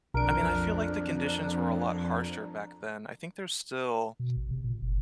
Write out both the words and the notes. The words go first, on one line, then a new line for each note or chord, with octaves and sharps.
I mean, I feel like the conditions were a lot harsher back then. I think there's still,
B1 F2 D4 A#4 D7
B2
A1
C3
A#2
F#1